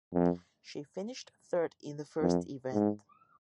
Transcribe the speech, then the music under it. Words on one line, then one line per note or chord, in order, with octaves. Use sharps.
She finished third in the first event.
F2
F2
G#2